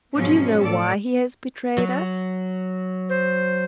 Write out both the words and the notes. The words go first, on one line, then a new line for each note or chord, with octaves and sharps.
Would you know why he has betrayed us?
G#2 B2 F3 F#3 C#4
A2 A4 D5
F#3
C5